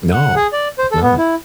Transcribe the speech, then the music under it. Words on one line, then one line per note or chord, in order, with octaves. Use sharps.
No, it's not.
F#5
G#4
D5
C5
A4
B3
E4